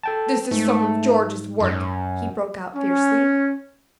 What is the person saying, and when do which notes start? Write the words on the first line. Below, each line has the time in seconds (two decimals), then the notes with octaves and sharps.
"This is some of George's work," he broke out fiercely.
0.03 A4 G5 A5
0.51 G#2 A3
1.60 F#2
2.75 C#4